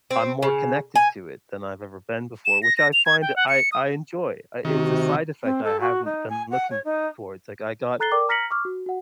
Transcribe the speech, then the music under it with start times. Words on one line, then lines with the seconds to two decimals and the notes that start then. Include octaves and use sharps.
I'm more connected to it than I've ever been before, which I find I I enjoy. I it's a side effect I haven't been looking towards. Like, I got
0.11 C4
0.43 C#3
0.95 G#5
2.45 E7
2.63 A#6
2.77 A#6
2.93 F7
3.06 G#6
3.22 G5
3.36 F#5
3.49 C#7
3.72 D#6
4.65 D2 C3 D#3 D#4 F#4
5.43 C4
5.63 A4
5.80 F#4
6.04 D#4
6.29 G#5
6.50 F#5
6.70 C#5
6.84 D#4
8.00 A4 A#5 F#6 A6 C7 G7
8.12 A#4 D5 G5 D6
8.29 A#5 F6 A#6 B6 C#7 F#7
8.51 C#6 D6 F6
8.65 F#4
8.86 F#4 F#5